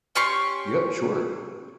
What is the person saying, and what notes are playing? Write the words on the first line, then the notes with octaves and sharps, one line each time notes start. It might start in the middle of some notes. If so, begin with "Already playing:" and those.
Yep, sure.
C#4 G4 C6 C#6